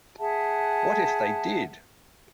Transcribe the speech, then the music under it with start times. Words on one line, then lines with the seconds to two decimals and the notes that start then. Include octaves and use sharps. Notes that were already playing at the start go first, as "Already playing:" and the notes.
What if they did!
0.19 G#4 E5 F#5 A5